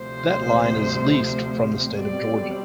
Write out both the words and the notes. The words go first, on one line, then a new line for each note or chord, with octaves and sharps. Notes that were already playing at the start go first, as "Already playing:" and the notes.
That line is leased from the state of Georgia.
Already playing: D2 C3 F3 C5
B2 G3 C4 D5